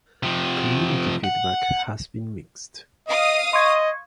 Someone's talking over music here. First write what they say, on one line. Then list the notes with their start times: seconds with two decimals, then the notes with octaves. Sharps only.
Community feedback has been mixed.
0.23 C3 F3
1.24 F#5
3.08 D#5 F5 D#6
3.53 D#5 C6 C#6 G#6